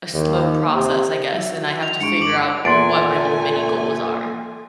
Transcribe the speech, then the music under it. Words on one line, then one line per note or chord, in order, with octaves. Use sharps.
a slow process, I guess, and I have to figure out w what my little mini goals are.
D#2
C3
F#3 E5
F7
G2 G#3 C#6 C#7 D7
D6 F#7
E2 A#2 A3 G#5 C6 A6 D7